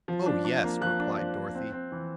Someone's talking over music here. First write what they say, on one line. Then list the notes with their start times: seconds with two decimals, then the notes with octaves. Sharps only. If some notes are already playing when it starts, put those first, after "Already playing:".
"Oh, yes," replied Dorothy.
0.08 F3
0.26 D4
0.44 D4
0.64 A#3
0.81 F3 F#6
1.00 D4
1.18 F3
1.36 F3
1.55 C4
1.72 C4
1.92 E3